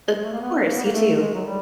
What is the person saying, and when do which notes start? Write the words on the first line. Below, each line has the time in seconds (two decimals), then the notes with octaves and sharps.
Of course, you too.
0.15 G#3
0.23 A3
0.32 A#3
0.41 B3
0.67 A#3
0.76 B3
0.84 A#3
0.93 A3
1.18 G#3
1.34 F#3
1.45 G3